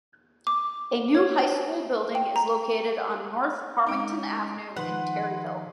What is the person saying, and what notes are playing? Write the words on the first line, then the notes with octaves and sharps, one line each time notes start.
A new high school building is located on North Harwinton Avenue in Terryville.
D6
C#5
G5
A#5
G#3 C#4 D#4 D7
D#3 F3 D#4 B4 F#5 C6